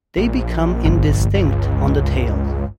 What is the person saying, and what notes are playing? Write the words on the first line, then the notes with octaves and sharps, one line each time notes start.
They become indistinct on the tail.
A#1
G1
C#2